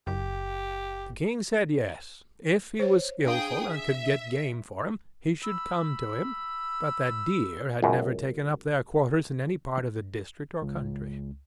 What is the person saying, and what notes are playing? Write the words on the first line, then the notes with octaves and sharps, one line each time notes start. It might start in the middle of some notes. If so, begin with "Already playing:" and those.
The king said yes, if he was skilful and could get game for him, he should come to him, but that deer had never taken up their quarters in any part of the district or country.
F#1 G4
C5 C#5
D4 G#4 F5 G5 D#6
E5
B5 E6
C#2 F#2
C#2